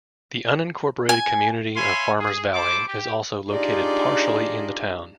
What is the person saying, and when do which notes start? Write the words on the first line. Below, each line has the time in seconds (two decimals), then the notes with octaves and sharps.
The unincorporated community of Farmers Valley is also located partially in the town.
1.09 G#5
1.76 C#5 E5 F5 G#5 B5 C6
2.20 G#4
2.54 E4 C5 A5 D6
2.88 G4
3.52 D4 D#4 F4 G4 G#4 D5